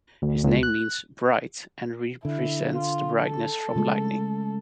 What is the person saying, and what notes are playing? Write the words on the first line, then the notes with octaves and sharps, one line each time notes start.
His name means "bright" and represents the brightness from lightning.
D2
C#2
F#6
D3 E4
F4
A4
C#3 G#3 A3